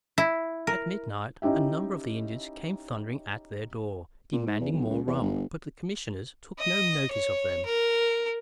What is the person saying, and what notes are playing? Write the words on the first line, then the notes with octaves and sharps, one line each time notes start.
At midnight, a number of the Indians came thundering at their door, demanding more rum; but the commissioners took no notice of them.
E4
A#4
C#4 D#4 E4 G4 E5
A#2
G#2
E2
B1
C#2
E2
G1
D#5
C#5
A#4